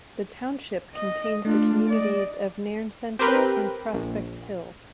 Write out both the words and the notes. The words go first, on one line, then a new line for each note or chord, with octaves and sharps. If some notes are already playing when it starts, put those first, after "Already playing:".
The township contains the communities of Nairn Centre and Prospect Hill.
D#5
A3 D4 F4
D5 D#5
C4 G4 A#4 B4 G5
A#1